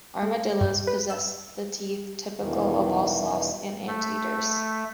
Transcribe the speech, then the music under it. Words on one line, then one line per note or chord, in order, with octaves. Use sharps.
Armadillos possess the teeth typical of all sloths and anteaters.
A3
G2
B4
E6
E2 G2 B2 D#3 E3
A3